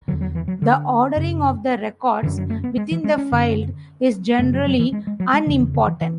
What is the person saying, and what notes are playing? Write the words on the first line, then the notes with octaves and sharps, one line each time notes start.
The ordering of the records within the file is generally unimportant.
E2 D3 F#3
F#3
E3
F#3
D3
F#2 C#3
F#2 D3 E3
F#3
A3
B3
G#3
E3
G#3
C#4
F#2 D3
F#2 C#3 A3
F#3
F#3
E3
G#3
G#3
F#3
G#3
E2 C#3 E3
E3
D3
E3
E3